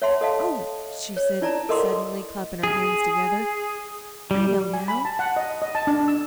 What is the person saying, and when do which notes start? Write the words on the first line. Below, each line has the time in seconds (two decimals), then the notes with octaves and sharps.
"Oh!" she said suddenly, clapping her hands together; "I know now."
0.02 C#5 E5 F#5 A5 C6
0.21 A4 D#5 F5 A5
1.17 C#5
1.42 D#4 E4 D5 A5 A#5
1.69 A4 A#4 D#5 F#5 C6 D6
2.63 G#4
4.31 G3
4.74 G#5
4.88 B5
5.05 A5
5.19 F#5
5.37 D#5
5.62 D#5
5.75 A5
5.87 D4
6.08 E6